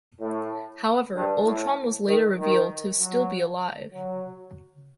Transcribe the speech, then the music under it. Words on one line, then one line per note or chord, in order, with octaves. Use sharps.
However, Ultron was later revealed to still be alive.
A2
G2
A2
D#3
D#3
F#3
F#3